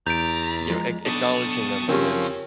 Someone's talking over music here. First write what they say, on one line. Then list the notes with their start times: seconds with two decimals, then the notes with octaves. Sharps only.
you know, ac acknowledging them and then
0.06 E2 A#5 G6 A6 B6 D7
0.70 F3 G#3
1.05 B3 D4 D#4 A4 A5 C#6 D#6
1.88 C#3 F3 C4 C#4 G4 A#4